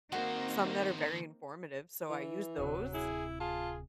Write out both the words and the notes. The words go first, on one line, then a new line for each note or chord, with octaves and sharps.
some that are very informative, so I use those.
D#3 A#3 C4 D#4 F#4 C5
E3
D1 C3 F#3
E4 G#4
F4 G#4 A5